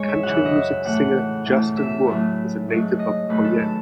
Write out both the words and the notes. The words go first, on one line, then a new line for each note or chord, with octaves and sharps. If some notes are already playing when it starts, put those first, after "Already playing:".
Country music singer Justin Moore is a native of Poyen.
Already playing: G#2 G#3 C#5
E5
F#2 C#3 E3 F#5
E5
D#5
E5
A2 E3 A3 F#5
E2 C#3 E3 A3
E5
A2 F#3 A3
G#2 F#3 A3
D#5
G#2 D#3 F#3 A3 B4
A4
A4